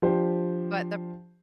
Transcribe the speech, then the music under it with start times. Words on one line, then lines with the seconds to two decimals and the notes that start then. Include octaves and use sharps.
but the
0.02 F3 D4 G4 C5